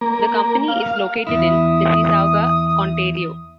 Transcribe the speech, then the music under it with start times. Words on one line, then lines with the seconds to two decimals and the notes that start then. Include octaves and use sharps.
The company is located in Mississauga, Ontario.
0.01 A#3
0.68 F5
1.27 E2 G2 E4 D#6